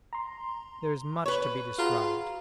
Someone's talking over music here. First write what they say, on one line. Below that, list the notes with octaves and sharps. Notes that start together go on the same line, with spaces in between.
There is much to be described.
A#5 C6
B4 C#5
F4 F#4 G#4 A#5